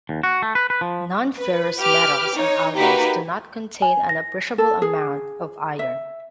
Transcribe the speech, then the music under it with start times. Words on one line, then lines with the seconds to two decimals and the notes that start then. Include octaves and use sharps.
Non-ferrous metals and alloys do not contain an appreciable amount of iron.
0.09 D#2
0.23 F#4
0.42 A3
0.55 B4
0.70 B4
0.81 F3
1.37 B4
1.79 G4 B4 G5 D6 F6
2.35 D#4 C#5
2.76 A#3 D#4 F#4 G4 B4 A#5
3.82 G#5
4.09 A#6
4.58 A4
4.82 G#4
5.79 E5